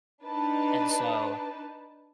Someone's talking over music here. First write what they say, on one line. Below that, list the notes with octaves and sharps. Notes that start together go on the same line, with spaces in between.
And so,
D4 D#4 B4 A5